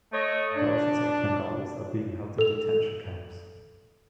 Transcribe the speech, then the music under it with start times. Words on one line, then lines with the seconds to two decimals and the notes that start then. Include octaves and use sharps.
Thousands of Bengalis are being held in Detention Camps.
0.13 A3 C#5 D#5
0.56 D4
2.38 A4 F7